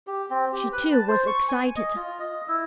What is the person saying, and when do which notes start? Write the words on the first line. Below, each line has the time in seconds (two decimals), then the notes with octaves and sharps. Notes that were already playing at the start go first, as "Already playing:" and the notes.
She, too, was excited.
0.07 G4
0.30 C4
0.52 G4
0.72 B4
0.92 A5
1.08 C5
1.27 C#6
1.48 G#5
1.76 D#5
1.96 F4
2.19 D#5
2.48 E4